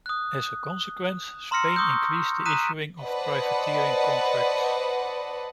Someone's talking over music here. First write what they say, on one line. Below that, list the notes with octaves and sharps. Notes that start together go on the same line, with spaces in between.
As a consequence, Spain increased the issuing of privateering contracts.
D#6 F#6
A#5 C6 E6 F6 A#6 C#7
C#6 D#6 E6 G6
A#5 D#6 F#6 B6 D#7 E7
B4 C5 D5 D#5 F#5 A5